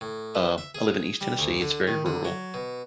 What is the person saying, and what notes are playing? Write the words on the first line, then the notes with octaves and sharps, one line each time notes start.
um, I live in East Tennessee, it's very rural
A2
B4
E5
G#4
G3
D2
D3
D#3
D3
F#3
B2